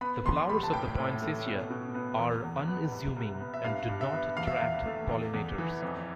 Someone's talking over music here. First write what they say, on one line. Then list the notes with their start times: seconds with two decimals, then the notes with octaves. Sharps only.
The flowers of the poinsettia are unassuming and do not attract pollinators.
0.01 B3 B5
0.25 E2 C6
0.49 G3 B5
0.63 A5
0.73 A2 G5
0.98 A2
1.22 A3
1.46 B2
1.70 B2
1.95 B3
2.19 E2
2.43 E2
2.67 B3
2.92 C2
3.16 C2
3.40 B3
3.54 E5
3.64 G2 F5
3.89 G2
4.01 E5
4.13 B3
4.37 E2 F5
4.47 E5
4.56 E2 F5
4.86 A3
5.10 E2
5.33 E2
5.58 E3
5.82 F2